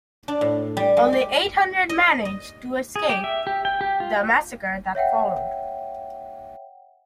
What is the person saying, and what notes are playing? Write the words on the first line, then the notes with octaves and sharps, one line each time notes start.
Only eight hundred managed to escape the massacre that followed.
D4
A2
G3
G#3
G4
D#5
D#5
G#4
G4
E5
G4
G5
G4
F4
C#5 E5 F#5 G5